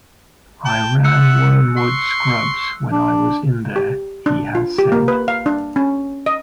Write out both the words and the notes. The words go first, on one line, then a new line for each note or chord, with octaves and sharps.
"I ran Wormwood Scrubs when I was in there", he has said.
G5 A5
E5 F#5 E6 F#6 C#7
C6 C#6
D4
G4
D4
F4
G4
A#3
B4
F5
D4
C#4
D#5